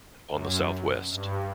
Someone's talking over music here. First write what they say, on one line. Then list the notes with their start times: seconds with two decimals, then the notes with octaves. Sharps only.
On the Southwest.
0.30 F#2
1.12 G2